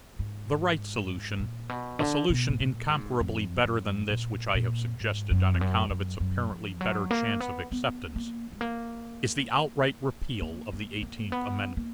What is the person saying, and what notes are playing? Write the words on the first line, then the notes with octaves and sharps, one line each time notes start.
The right solution--a solution incomparably better than this which I have suggested on account of its apparently better chance of acceptance--is the outright repeal of the Eighteenth Amendment.
G#2
A#2
B2
D3
B2
G#2
A#2
G#2
F2
F#2
A#2
A#2
G#2
F#2
F2
F#2
F#2
F#2
F3
F#3
A#3
B3
B3
A#3
G#3
A#3
A#3
A#3
A#3
B3
A#3